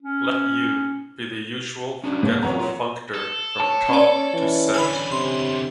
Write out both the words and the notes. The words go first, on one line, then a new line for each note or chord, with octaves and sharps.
Let "U" be the usual forgetful functor from Top to Set.
C#4
C#4 D4 F#4
G#2 B2 A#3 C#5
E3 F#3 C4 C#5 F#5 A#5
F4 A#4
A4
C#5 A5
C#4 D5
E3
E2 D3 G#5 B5
C3 C6